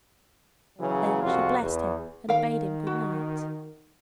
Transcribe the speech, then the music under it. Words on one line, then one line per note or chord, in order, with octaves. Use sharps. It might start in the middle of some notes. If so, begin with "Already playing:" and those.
Then she blessed him, and bade him good-night.
C#3 E3 F#3
C2 F2 F4 F#4
E2
D#3 A#4 F5
F#4